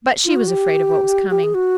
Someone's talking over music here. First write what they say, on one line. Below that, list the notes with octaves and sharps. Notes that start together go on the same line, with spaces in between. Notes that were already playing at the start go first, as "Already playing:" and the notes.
But she was afraid of what was coming.
F4
F#4
G4
G4
G#4
F#4